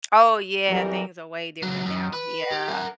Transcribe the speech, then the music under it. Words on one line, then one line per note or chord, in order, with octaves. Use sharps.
Oh, yeah, things are way different now, yeah.
F2 E3 F#3 G3 G4 A#4
C#2 F#3
F#2
B4
G4
A#4 F#5